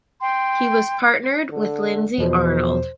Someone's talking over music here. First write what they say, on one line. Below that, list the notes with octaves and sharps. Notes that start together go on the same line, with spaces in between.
He was partnered with Lindsay Arnold.
G5 C6
D3
E2 B2 F3 C5